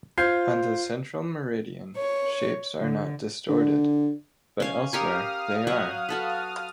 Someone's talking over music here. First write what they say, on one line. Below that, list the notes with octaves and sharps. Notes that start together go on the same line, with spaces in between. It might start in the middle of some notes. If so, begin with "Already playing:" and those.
On the central meridian, shapes are not distorted, but elsewhere they are.
F4 C5 F6 G6 G#6 C7
C#5
D3
D3
C#4 F5 G#5
G4 A#4 C#5 F5 D#6 F6
F#3 C#5 F#5
F#4 A4 B4